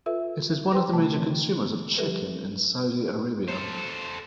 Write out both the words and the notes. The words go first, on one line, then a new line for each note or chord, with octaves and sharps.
It is one of the major consumers of chicken in Saudi Arabia.
F4 A4 B4 E5
B4 C5 G5 C6
C3 A3 A5
D3 E3 C4
B3
F3 G3 G4 A4 B4
A4 C5